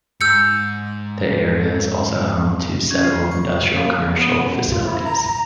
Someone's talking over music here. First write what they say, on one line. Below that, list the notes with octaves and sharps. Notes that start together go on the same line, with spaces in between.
The area is also home to several industrial commercial facilities.
G#2 E6 G6 C#7
C#4
F4
C#6
A#3
C#3
B3
F#2
G2
F4
E4
A#5